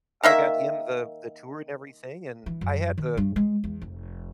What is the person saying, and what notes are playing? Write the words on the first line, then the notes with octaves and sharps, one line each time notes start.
I got him the the tour and everything, and I had the
D#3 A#3 E5
E3
F#2
D#3
G2
G#3
E2
F1